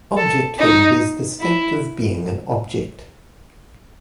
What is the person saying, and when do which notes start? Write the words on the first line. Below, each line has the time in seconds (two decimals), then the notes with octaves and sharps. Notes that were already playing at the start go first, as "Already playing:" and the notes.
Objecthood is the state of being an object.
0.17 A4
0.59 D#4
1.40 E4